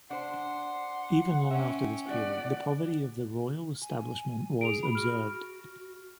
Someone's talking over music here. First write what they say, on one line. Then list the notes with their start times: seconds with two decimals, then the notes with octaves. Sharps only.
Even long after this period, the poverty of the royal establishment was observed.
0.10 D4 C5 F#5 C6
1.51 C#4 E5 G5
2.07 D5 F#5
3.81 G#5
4.61 G#4 D7 F7
4.83 B5
4.95 F#4 F6